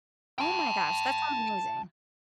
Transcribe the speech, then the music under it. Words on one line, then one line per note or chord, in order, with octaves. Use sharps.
Oh my gosh, that sounds amazing.
G5 A5